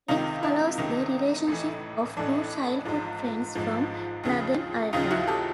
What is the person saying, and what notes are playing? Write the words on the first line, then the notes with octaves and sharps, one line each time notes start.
It follows the relationship of two childhood friends from Northern Ireland.
C#2 C3 D#3 D#4 F4
D4 E4
C#2 C3 D#3 D#4
A1 A2 E3
A1 A2 E3 D4
G#1 G#2 F3
G#1 G#2 F3
D#2 C#3 F3
D#2 C#3 F3 D#4 F4
E4 F#4
G4 A4